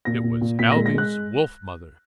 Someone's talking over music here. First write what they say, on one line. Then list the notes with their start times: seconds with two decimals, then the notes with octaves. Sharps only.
It was Ailbe's wolf-mother.
0.05 A#2 A#6
0.24 A#2
0.41 A#2
0.59 A#2 B6
0.72 A#6
0.76 G#3
0.86 A#6
0.94 G#3 F#6